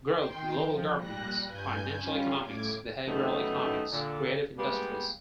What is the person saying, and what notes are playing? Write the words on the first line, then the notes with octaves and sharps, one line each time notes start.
Growth, global governance, financial economics, behavioral economics, creative industries.
D#3 G5 C6
F3
A#2 G3 F#6 A#6
G2 G#5 G6
G3 C#4 F4
A2 D6 G#6
F#2 D#3 G3 A3 B3 D#4
A#2 D3
G3 G#3 A#3 B3 D4 G4